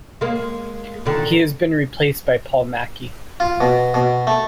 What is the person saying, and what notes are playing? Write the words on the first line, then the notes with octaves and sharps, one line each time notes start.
He has been replaced by Paul Mackie.
G#3 A#3
A#2 D3 D#3
F4
B2
B2
A3